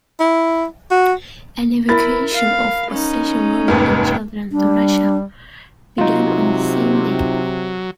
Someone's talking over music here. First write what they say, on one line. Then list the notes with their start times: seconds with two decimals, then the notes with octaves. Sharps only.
An evacuation of Ossetian women and children to Russia began on the same day.
0.20 E4
0.91 F#4
1.89 E4 A#4 B5 A6
2.34 F5
2.90 C#4 D#4
3.68 F1 D#2 G#2 A#3 A#4 B4
4.52 G3 D4
5.98 C3 F#3 D#4 F4